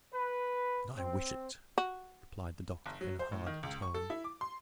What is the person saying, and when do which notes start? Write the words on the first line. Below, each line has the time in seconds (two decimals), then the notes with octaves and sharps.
"And I wish it," replied the doctor in a hard tone.
0.13 B4
0.98 C4
1.78 F#4
2.86 F#1
3.01 F#3
3.19 C5
3.32 A2
3.47 D#3
3.63 C#2
3.82 C#6
3.94 A4
4.10 E4
4.24 D6
4.41 C6